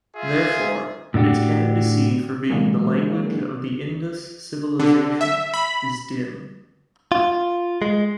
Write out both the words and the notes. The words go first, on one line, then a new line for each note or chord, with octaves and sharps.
Therefore, its candidacy for being the language of the Indus Civilization is dim.
F4 G#4 E5
A2 D3 D4 F#4 G4
A#2 D3 E3 F#3 G#3 A#3
D3
E5
B5
F4
G#3